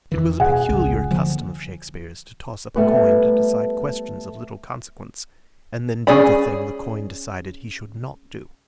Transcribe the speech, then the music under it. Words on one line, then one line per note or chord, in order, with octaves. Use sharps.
It was a peculiar custom of Shakespeare's to toss up a coin to decide questions of little consequence, and then do the thing the coin decided he should not do.
F2 D#3 E3
B2 G#4 F#5
G#1 C#2
D3 F3 A#3
G3 A3 B3 B4
C#4 D4 G#4 D5 B5